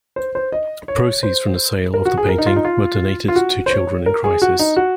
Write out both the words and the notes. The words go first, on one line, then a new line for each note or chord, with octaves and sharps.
Proceeds from the sale of the painting were donated to Children in Crisis.
C5
C5
D#5
C#5
C5
A#4
F#4
G#4
A#4
D#4
F4
D#4
F4
F4
F#4
C5
C#5
A#4
G#4
F#4
D#4
F#4